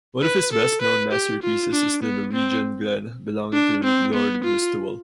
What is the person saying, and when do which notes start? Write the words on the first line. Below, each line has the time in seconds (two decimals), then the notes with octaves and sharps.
One of his best-known masterpieces is the Norwegian glen belonging to Lord Listowel.
0.22 B4
0.52 A4
0.82 B4
1.12 G4
1.43 F4
1.73 D4
2.03 B3
2.33 C4
3.53 D4
3.84 C4
4.14 B3
4.44 F4